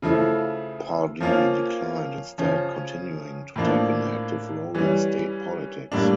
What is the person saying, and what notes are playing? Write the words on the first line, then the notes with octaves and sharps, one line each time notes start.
Pardee declined, instead continuing to take an active role in state politics.
C#3 F3 A3 E4
F3 A#3 C#4 F4
C#3 F3 C#4
A2 F3 A#3 D4
E3 G3 C#4
A2 G3 A#3 D4